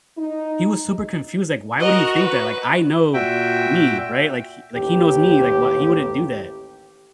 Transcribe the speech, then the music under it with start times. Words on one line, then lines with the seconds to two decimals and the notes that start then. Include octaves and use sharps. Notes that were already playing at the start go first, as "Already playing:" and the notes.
he was super confused, like, "Why would he think that? Like, I know" me, right? Like, h he knows me. Like, "Why he wouldn't do that.
0.17 D#4
1.79 F#4 A#4 D#5
2.16 B4
3.14 A#2 F#4 E5 G5
4.75 A1 D#2 G4